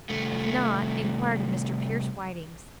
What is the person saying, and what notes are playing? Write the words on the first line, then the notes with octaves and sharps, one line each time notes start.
If not, inquire to Mr. Pierce Whiting's.
C2 A3